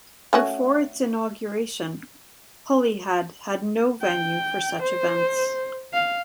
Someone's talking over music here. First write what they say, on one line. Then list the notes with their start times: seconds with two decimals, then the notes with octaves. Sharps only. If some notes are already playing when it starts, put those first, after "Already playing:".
Before its inauguration, Holyhead had no venue for such events.
0.33 A3 C#4 F#4
4.01 G5
4.82 C5
5.93 F5